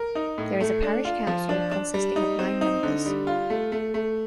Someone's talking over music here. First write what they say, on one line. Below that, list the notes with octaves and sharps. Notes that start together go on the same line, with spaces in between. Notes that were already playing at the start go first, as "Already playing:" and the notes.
There is a parish council, consisting of nine members.
Already playing: A#4
D#4
A2
A3
D4
F4
F3
D4
D4
G3
D#4
C4
D#4
D3
G3
F4
A3
A3
A3